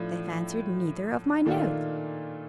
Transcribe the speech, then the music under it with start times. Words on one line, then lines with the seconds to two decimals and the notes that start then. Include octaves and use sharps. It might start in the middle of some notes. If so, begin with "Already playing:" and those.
They have answered neither of my notes.
Already playing: A2 F3 A3 D4
1.45 A#2 D#3 A3 D4 F4